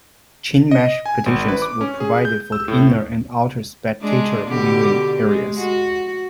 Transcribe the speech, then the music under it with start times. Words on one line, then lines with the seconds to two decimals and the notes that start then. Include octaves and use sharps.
Chain mesh partitions were provided for the "inner" and "outer" spectator viewing areas.
0.71 D#5
1.06 G#5
1.26 G#1
1.48 B4
1.62 D6
1.81 C#4
2.00 G#4
2.25 G6
2.52 E6
2.68 A2
4.02 G#3 D4
4.46 B2 D3 G4
5.22 G#3
5.58 F#4